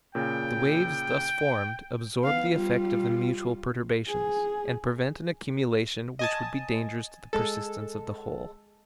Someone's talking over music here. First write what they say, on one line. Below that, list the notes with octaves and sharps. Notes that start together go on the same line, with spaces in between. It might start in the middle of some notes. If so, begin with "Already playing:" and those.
The waves thus formed absorb the effect of the mutual perturbations, and prevent an accumulation which would be dangerous to the persistence of the whole.
A#2 C#3 G5
B3 F5
G3 F4
G#4
D#5 G#5 A5
G#3 A4